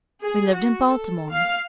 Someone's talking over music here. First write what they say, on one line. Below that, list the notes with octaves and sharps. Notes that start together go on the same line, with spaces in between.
We lived in Baltimore.
G#4
F#4
A4
F5